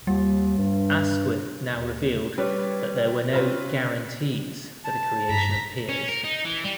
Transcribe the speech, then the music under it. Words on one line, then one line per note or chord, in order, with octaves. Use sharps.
Asquith now revealed that there were no "guarantees" for the creation of peers.
D#2 G3
G2
D#2
G3 B4 C#5 D5
C4 C#4 F4 B4
A5
G2 A#5 B6
C#4
A#4
D#4
E3
G3